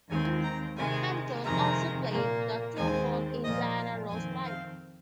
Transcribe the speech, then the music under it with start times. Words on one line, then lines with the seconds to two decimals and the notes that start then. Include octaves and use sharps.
Hampton also played the trombone in Diana Ross Live!
0.10 D#2 D#3 G#3 C4 G#5
0.44 A#5
0.77 C3 D#3 G#3 G#5
1.44 F2 C3 D#3 G#3 A#5
2.10 A#2 A#3
2.76 D#2 D#3 G#3 C4 G#5
3.44 A#2 F3 A#3 D#5
3.77 F5
4.10 F2 D#3 C4 G#5
4.44 F5